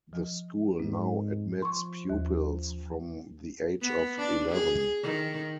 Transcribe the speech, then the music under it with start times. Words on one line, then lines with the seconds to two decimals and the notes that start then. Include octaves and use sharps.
The school now admits pupils from the age of eleven.
0.13 F3
0.80 G#2 C4
1.62 F3 C6 C#6
2.10 D#2
3.82 B3
4.18 D4
4.51 G#4
5.03 D#3